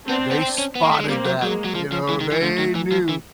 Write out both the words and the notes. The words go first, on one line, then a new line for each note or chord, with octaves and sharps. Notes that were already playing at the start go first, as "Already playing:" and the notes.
they spotted that, you know, they knew.
B3 C4 D4
B3
C4
C#4
B3
A#3
A3
G#3
G3 A#3 C4
F#3
F#3 G#3 A#3
F#3
F3
F3
E3 G#3
D#3
E3
D3 A3
D#3
E3
F3
E3